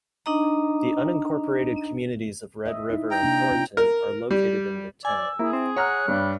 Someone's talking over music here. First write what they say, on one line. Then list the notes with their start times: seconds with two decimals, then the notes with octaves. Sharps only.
The unincorporated communities of Red River and Thornton are located in the town.
0.26 D4 D#4 D#5 A#5
2.66 D#5 E5
2.90 D#4 E4
3.11 G5 A#5
3.23 C3 A#3 D4
3.51 C#4 F4
3.77 A#4
4.31 G3
5.05 D5 G#5 E6
5.39 A#3 E4 G#4
5.53 C4 G5
5.77 C#5 F#5 A#5 F6 F#6
6.08 G2 G3